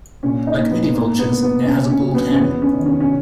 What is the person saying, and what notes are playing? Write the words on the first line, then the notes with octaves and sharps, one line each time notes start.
Like many vultures, it has a bald head.
A#2 C#4
D#4
A#3
B3
G#2 A#3
B3
A#3
B3
C#3 C#4
C#4
F#3
B3
C#4
E2 B3
C#4
D#3
C#4
C#4